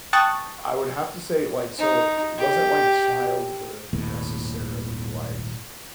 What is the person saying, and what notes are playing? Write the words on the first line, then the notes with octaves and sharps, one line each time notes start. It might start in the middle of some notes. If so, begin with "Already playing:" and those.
I would have to say like, so it wasn't like childhood necessarily, like,
G5 A5 C#6 D#6 F#6 A6
D#4
G4
D#1 G#1 D#2 A2